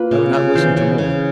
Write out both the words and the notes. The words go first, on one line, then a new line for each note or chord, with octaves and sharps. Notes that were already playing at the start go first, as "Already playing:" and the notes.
I would not listen to more.
Already playing: A#3 F4 B4
C#3
C#3
E3 C5
C#3
C#3